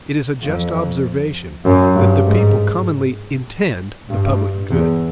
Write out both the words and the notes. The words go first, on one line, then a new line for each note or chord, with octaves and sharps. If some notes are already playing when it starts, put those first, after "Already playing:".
It is a just observation, that the people commonly INTEND the PUBLIC GOOD.
F2
F#2
G2
G#2
G2
E2